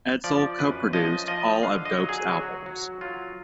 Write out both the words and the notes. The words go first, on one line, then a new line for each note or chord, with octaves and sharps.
Edsel co-produced all of Dope's albums.
F3 D5
F#2 B4
F3 D#5
F3 D#5
D3 F5
D#5
F#3
G#4
F#3 F#4
F#3
F#3 F4